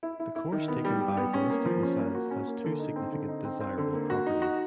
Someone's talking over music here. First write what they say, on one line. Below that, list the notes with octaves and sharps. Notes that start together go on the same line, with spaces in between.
The course taken by ballistic missiles has two significant desirable properties.
E4
E4
E4
D#3
B3
G3
G3
B3
C#4
A#3
F3
C#4
A#3
F#4
C#4
A#3
D3
D#4
C4
D3
D#4
C4
C4
D3
A#3
F#4
D#4
F#4